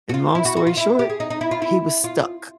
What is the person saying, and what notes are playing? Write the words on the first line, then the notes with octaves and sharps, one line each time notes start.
and long story short, he was stuck.
F#4
F4
E4
F#4
F#4
F4
E4
G4
G#4
D#4
D#4
E4
F4
E4
F4